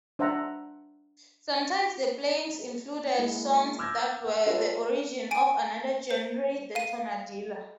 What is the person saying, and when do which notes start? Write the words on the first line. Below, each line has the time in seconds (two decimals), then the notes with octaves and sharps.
Sometimes the playings included songs that were the origin of another genre, the tonadilla.
0.19 D4 C5 E5 F#5 A#5
3.18 G#3 A#3 E4
3.79 D6 E6 F6 G6 G#6 A#6
4.24 F#5
4.46 F4 A4 B4 C#5
5.31 G#5 D7
6.11 C5
6.75 F5 D#7